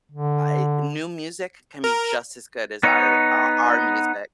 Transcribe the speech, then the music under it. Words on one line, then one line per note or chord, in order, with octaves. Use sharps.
I new music can be just as good as our our our music.
D3
A#4
B3 D#4 C#5